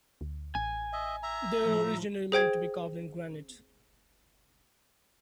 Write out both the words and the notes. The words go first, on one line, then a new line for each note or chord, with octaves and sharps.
They were originally meant to be carved in granite.
D2
A1 G#5
D#5 E5
E5 A#5
A2 F3
G#4 C5 G5 G#6